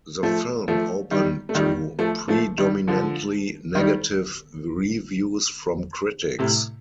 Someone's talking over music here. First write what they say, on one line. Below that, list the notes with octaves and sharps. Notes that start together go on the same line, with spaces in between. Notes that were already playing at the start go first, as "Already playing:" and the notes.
The film opened to predominantly negative reviews from critics.
F3 A3
F3 A3
D#3 G3
A3
D#3 G3
F3 A3
F3 A3
D#3 G3
D3 F3
D#3 G3
A2 C3